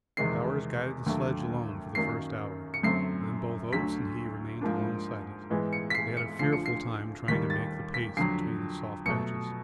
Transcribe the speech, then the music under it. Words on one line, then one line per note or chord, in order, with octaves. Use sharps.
Bowers guided the sledge alone for the first hour, then both Oates and he remained alongside it; they had a fearful time trying to make the pace between the soft patches.
E2 C3 D#3 G#3 C4 C7
D#2 D3 F#3 A3
F#2 D#3 F#3 A#3 C#4 C7
C#7
F#2 D3 F#3 A3 C4 C7
D2 D3 F#3 B6
G#2 F3 A#3 D4
G#2 E3 G#3 B3
C#7
B6
C7
C#7
D2 D3 F3 C7
C#7
C7
D#2 D#3 G3 B6
A6
B6
F2 D3 F#3 C7
B2 F#3 A3 C#7